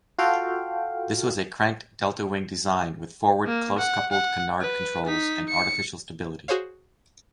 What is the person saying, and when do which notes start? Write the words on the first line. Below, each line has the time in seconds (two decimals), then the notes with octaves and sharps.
This was a cranked delta wing design with forward close-coupled-canard controls and artificial stability.
0.18 F4 F#4 A4 F5 G5
3.46 A#3
3.78 F#5
4.12 F#5
4.61 B4
5.06 D#4 B6
5.48 C#7
6.48 F#4 G#4 C5 C#5 F5